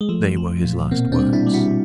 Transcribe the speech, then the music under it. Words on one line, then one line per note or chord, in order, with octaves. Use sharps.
They were his last words.
G#3
F3 A3
F3
A#2
B2 A#3 C4
C4 D4
G3
D4 E4
G3
E4 F#4